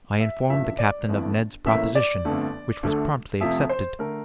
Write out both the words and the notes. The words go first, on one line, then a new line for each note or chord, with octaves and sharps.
I informed the captain of Ned's proposition, which was promptly accepted.
E5
A1 G2 F3 E5
D5
G1 F2 E3 A3
A1 A2 E3 A#3 E5
D5
G1 F2 D3 A3
D2 D3 A3
F2 C3 F3 A3 E5
C5
D3 A3 A#4